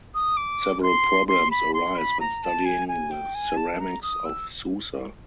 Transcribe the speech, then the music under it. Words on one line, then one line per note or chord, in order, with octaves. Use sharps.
Several problems arise when studying the ceramics of Susa.
D#6
D6
C6
C6
B5
C6
B5
A#5
A5
G#5
G#5
G5
G#5
A5
A#5
D#6
E6